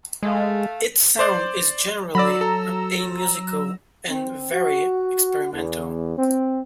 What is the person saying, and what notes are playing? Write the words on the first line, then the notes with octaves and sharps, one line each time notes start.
Its sound is generally amusical, and very experimental.
G#3 A3 F5
C5 D5 G6
F#3 D5 A#5 B5 E6
A4
C4
F#4
E2
C4